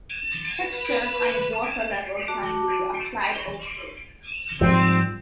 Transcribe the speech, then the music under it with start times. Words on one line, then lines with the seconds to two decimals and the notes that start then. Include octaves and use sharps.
Textures and water level can be applied also.
0.17 A6
0.56 B4
2.28 F#4 A5 D6
4.61 G#2 F3 G3 C4